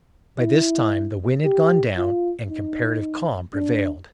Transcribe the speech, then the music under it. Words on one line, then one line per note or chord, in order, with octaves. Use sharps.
By this time the wind had gone down and comparative calm prevailed.
E4
G4
F4
D#4
D4